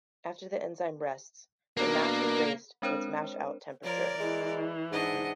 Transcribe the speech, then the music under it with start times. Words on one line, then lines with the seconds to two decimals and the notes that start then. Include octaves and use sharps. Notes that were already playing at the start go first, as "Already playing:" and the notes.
After the enzyme rests, the mash is raised to its mash-out temperature.
1.77 B2 A#3 D4 A#4
2.82 G#3 C4 D4 A#4 C5 C#5
3.84 F3 A#4 C#5 D5
4.20 E3 G#3 E4
4.92 G#2 D4 D#5 F#5